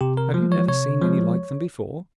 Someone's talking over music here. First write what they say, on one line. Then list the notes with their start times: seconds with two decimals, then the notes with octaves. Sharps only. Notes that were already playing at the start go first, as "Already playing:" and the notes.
"Have you never seen any like them before?"
0.01 C3 G4
0.17 A#4
0.34 F3 G#3
0.52 C#5
0.68 C3 C#5
1.02 F3 G#3